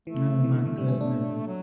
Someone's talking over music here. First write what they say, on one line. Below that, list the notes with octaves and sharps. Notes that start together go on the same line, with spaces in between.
Oh my goodness.
E3 A3
E3
D3 A3
E3
G3
C#4
D4
F#3